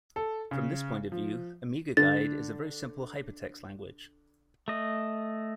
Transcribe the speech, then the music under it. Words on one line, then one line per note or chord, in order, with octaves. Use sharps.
From this point of view, AmigaGuide is a very simple hypertext language.
A4
C#3
F3
D3 A6
A3 D#5